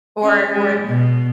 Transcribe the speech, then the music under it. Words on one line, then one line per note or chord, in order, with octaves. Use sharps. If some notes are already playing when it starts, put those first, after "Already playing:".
or or
C#4
G#3
B2